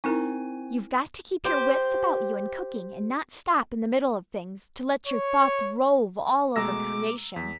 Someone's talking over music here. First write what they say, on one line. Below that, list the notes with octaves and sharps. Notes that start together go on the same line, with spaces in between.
You've got to keep your wits about you in cooking and not stop in the middle of things to let your thoughts rove all over creation.
C4 D#4 E4 A#4 G#5 C#6
G4 C5
C#5
B2 G#3 A3 A#5 D6 E6 A#6
E2 B6